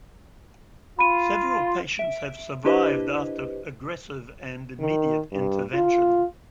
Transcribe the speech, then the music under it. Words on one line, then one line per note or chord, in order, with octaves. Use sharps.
Several patients have survived after aggressive and immediate intervention.
F4 B5 D#7
E5 D7
D4 E4 G4 B4 C5 D#5
D#3
G2
F4